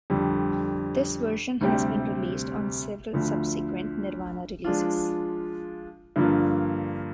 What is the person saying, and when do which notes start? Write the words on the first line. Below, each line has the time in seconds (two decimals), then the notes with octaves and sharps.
This version has been released on several subsequent Nirvana releases.
0.10 F2 D3 G3
1.61 D2 C3 G3 C4 G4
3.13 D2 D3 F3
4.64 F3 G#3 D4 F4
6.16 G2 D3 F3 A#3 F4